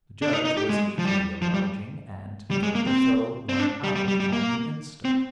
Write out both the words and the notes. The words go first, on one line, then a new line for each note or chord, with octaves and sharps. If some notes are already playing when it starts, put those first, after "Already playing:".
The judge was equally obliging, and began to fill one out on the instant.
D4
D#4
D#4
G4
G#3
F3
G3
F3
G3
G3
G#3
A#3
C4
C4
D4
G3
G3
G3
G3
A#3
C4